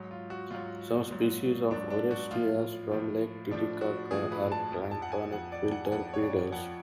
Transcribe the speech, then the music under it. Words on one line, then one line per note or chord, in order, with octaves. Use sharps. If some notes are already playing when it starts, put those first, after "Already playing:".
Some species of "Orestias" from Lake Titicaca are planktonic filter feeders.
Already playing: G#2 F#3
F4
F#4
G#2 F#3 F4
G#2 F#3
G#2 F#3 D4
D4
F#4
A2 F3 F4
A2 F3
A2 F3 D4
F#4
A2 F3 G#4
B4
A5
F2 F3
A5
F#5
G#5
F2 F3 F#5
D5
F#5
G#5
F2 F3 F#5
C#5
D5
F2 F3 F#5